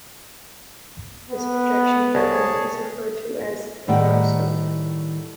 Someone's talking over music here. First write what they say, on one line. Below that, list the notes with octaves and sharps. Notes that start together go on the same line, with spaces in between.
This projection equipment is referred to as a "rotoscope".
B3
C2 G#4 C#5 A5
A2 D#3 G3 F#5 G5